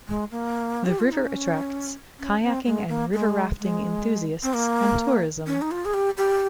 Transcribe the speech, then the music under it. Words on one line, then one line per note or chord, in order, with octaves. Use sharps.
The river attracts kayaking and river rafting enthusiasts and tourism.
G#3
A#3
G4
F4
D#4
C#4
C#4
C4
G#3
A#3
G#3
G#3
C4
A#3
C#4
D#4
F4
G#4
G4
G4